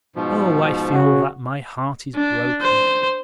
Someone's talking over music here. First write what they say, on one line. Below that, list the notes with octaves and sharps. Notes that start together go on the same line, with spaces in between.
Oh, I feel that my heart is broken.
G#2 B2 F3
C#3 F#4
D4
C5